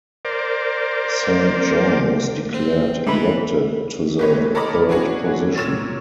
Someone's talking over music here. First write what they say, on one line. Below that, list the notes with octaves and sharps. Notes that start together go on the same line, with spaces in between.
Saint John was declared elected to the third position.
A#4 C5 D5
C4
E3 G#3 B5
G1 B4 C#5
A4 A#4 C#5 D#5 B5 D6
C#4 D4 E4 F#4 G#4 C#5
A#2 C#5 E6 E7